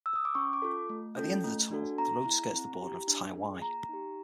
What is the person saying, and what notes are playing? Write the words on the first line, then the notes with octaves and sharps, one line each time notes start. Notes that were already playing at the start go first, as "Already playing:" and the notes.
At the end of the tunnel, the road skirts the border of Tai Wai.
E6
D#6
D6
C#4 C#6
D6
F4 A4
A3
C#4 F4 A4
A3
D4 F#4 A4
B3 A#5
E4
G#4
C4
E4 G4
D4
F4 G#4
A#3 A#5
D#4 G4